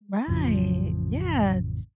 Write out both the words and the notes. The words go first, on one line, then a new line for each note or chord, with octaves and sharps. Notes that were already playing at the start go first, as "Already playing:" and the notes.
Right. Yes.
A1 F2 C#3 F3